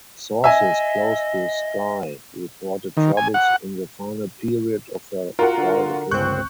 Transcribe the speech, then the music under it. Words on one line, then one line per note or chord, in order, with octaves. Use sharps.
Sources close to Skye reported troubles in the final period of her private life.
D#5 E5 G#5
D#3
G#5
F#5
F4 F#4 A#4 F#5
D3
G1 C#2 C4 C#6 F#6 G6